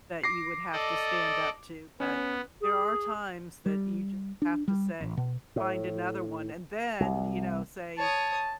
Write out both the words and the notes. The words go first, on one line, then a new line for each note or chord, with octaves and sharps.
that you would have to stand up to. But there are times that you just have to say "Find another one," and then, you know, say,
D6 A#6 C7
A4 D5 D#5
B3 C#4
G#4
G3
D4
G3
A1
B2
A2
C2
C#5 A5 D#6